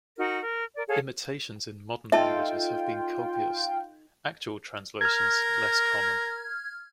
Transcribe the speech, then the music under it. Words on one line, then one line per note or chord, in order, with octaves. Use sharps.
Imitations in modern languages have been copious, actual translations less common.
D#4 F#4 A#4
A#4
A#4 D5
G#4 A4 C#5 F5
D#4 F4 A4 E5 G5 A5
A#4 F6 G#6